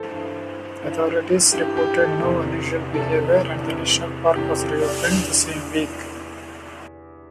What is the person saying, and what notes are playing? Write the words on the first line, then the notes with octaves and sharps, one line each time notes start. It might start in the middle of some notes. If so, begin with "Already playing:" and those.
Authorities reported no unusual behavior and the national park was reopened the same week.
Already playing: G2 E3 A4 C5
G2 E3
G2 E3
G2 E3 G4
G4
A4
E2 C3 E3
E2 C3 E3 A4
E2 C3 E3
E2 C3 E3 G4
A4
D5
E2 D3